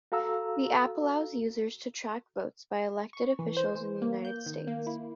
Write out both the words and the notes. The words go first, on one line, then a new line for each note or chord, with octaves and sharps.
The app allows users to track votes by elected officials in the United States.
F#4 A4 F5 A#5 E6
C#6
E3
C5
E3
A#3
G6
D#3
A#3
E4